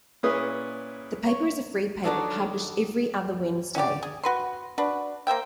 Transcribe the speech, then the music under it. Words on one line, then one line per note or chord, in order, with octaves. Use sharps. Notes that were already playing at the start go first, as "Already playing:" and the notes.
The paper is a free paper published every other Wednesday.
A#2 C#4 E4 G#4 B4 D#6
C#5
D#3 F#3 D4 D#4 A4 C#5
C#4 F#4 G4 D5
G#4
F#4 B4 C6
D4 F#4 B4
A#3 C5 E5 G5